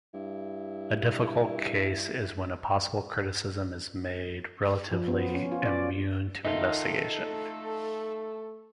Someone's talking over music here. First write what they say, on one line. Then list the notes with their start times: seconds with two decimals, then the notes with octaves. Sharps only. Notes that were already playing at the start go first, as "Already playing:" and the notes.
A difficult case is when a possible criticism is made relatively immune to investigation.
0.14 G2 E4
4.92 F3
5.08 B3
5.34 C#4
5.52 F4
5.65 D5
6.45 D#3 D#4 F4 A4 D#5 E5
7.24 A3